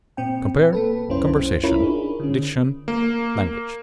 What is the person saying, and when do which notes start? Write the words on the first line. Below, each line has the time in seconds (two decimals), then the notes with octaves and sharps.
Compare CONVERSATION; DICTION; LANGUAGE.
0.17 A#2 C4 G5
0.73 A#3 A4 B4
1.09 C2 F#2 C#4 E4 C5
1.64 C#4 E4 F4 A#4 C#5 B5
1.82 D4 D#4 G#4
2.20 D3 C#4
2.88 A#3